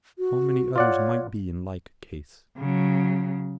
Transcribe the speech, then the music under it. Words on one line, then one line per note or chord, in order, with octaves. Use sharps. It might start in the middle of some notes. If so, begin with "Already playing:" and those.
How many others might be in like case!
F#4
F4 C#5 D5 F#5
C#3 F#3